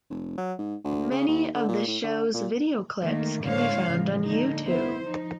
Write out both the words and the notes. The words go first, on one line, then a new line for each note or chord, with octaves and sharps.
Many of the shows video clips can be found on YouTube.
F1
F#3
G#2
D2
C#3
D#2
D3
A#2
A2
D3
A#2
D#3 A3 A#3
A2 D3 G#3 C5 C#5 F5
A2 C#3 E3 F3 G#3
D3 A#3 D#4
B3 E4 C5
F3 D#4